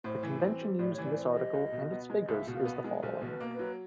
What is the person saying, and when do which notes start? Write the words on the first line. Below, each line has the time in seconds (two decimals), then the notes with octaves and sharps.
The convention used in this article and its figures is the following.
0.04 A2 C5
0.23 E3
0.41 C4
0.61 G3
0.79 A2 D5
0.93 E3 C#5
1.04 D5
1.17 C4
1.29 D#5
1.35 G3
1.54 C#2
1.72 B2
1.92 B3
2.10 G#3
2.19 D#5
2.29 C#2 E5
2.47 B2
2.54 F5
2.65 B3
2.84 G#3
3.03 B1 C5
3.21 B2
3.28 B4
3.40 A#3
3.53 B4
3.59 F#3